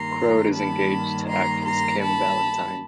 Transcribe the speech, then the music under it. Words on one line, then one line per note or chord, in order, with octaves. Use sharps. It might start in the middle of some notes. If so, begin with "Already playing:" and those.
Croad is engaged to actress Kym Valentine.
Already playing: G2 D#3 G3 A#3 A#5 C6
A5 B5
A#5 C6
A#5 C6
A5 B5